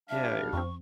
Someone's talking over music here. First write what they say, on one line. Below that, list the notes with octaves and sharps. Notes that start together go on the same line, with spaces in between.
Yeah, it w
G3 D4 E5 F5
F2 C4 C#6